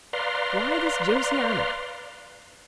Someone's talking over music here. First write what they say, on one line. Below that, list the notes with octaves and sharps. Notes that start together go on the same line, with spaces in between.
Why this Josiana?
B4 D5 F5 A#5 C6